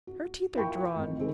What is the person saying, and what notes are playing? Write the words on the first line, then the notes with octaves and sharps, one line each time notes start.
Her teeth are drawn.
F#4
E4 F4 A#4 G5 B5 C#6
G#1 G#2
D#3 C4 G#4 A#4